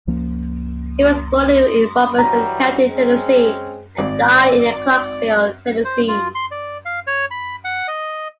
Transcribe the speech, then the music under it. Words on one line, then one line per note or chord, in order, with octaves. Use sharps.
He was born in Robertson County, Tennessee, and died in Clarksville, Tennessee.
C#2 F3 A#3 C#4
E3 F#3 G3 A#5
G#3 C4 C#4
G#1 D5
C5
F4
C6
D5
F5
C#5
B5
F#5
D#5